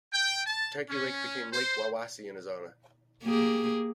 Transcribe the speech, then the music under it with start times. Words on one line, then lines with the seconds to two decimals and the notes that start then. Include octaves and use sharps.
Turkey Lake became Lake Wawasee in his honor.
0.13 G5
0.46 A5
0.90 C#4
1.53 C5
3.24 A#3 G4 G#4